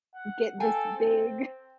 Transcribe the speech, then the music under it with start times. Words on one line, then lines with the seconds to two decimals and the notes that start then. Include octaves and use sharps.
get this big,
0.14 F#5
0.60 A4 F5 G5 G#5
0.97 C4